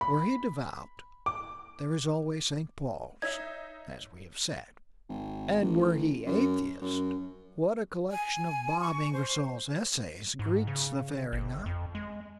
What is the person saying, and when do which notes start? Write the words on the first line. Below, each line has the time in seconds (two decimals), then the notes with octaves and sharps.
Were he devout, there is always St. Paul's, as we have said; and were he atheist, what a collection of Bob Ingersoll's essays greets the faring eye!
0.01 B5
1.26 D6
3.22 D#4 C#5 E5 G#6
5.09 G#1
5.61 A1
6.27 F#2
6.81 F#2
8.12 G#5
8.81 C#6
9.13 C5
10.39 G#2
10.67 C#3
11.32 G1
11.66 F2
11.95 G#3